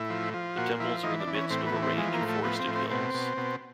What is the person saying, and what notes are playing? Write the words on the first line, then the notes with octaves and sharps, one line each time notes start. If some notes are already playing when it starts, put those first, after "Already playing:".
The temples are in the midst of a range of forested hills.
Already playing: A2 E4
F3
F3
A#2 F#4
F3 E4
E3 D#4
D4
E3
C#4
A2 C4
B3
E3
C4
F3 G#3
A#3
A2
A3
F3 B3
C4
A2
C4
B2 C4
B2
B2